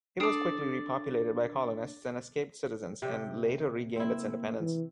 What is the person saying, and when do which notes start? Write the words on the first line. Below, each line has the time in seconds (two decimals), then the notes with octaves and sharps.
It was quickly repopulated by colonists and escaped citizens, and later regained its independence.
0.20 D4 A4 D5 D#6 C7 D7
3.02 C3 G4
3.96 A#3 C4 E4
4.60 E3